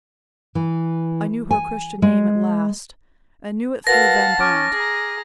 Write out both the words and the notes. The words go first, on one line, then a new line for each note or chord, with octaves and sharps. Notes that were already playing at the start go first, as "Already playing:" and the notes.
I knew her Christian name at last, and knew it through Van Brandt.
E3
G#5
G#3
F#4 A#4 B4 F5 F#5 A5 A#6
C#4 D6 F6 D7
G#4 A#5